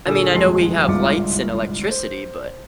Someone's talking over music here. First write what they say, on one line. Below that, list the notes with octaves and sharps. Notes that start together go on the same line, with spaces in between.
I mean, I know we have lights and electricity, but
A#2 D3 G#4 A4 E6
D#1 F2 G#3 C6 C7
G1 C2 G#2 F4 D6 C#7
C5